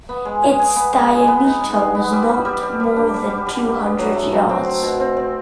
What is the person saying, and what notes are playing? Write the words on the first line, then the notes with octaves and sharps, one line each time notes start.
Its diameter was not more than two hundred yards.
B3
G#3
G#4
G#4
B3
G#3
G#4
B3
D#4
G#3
G#3
B3
G3
G3
G3
G3
G3
D4
G3
G3
G3
G3
B3
F#3
A3
F#3
C4
C4
B2
C4
C4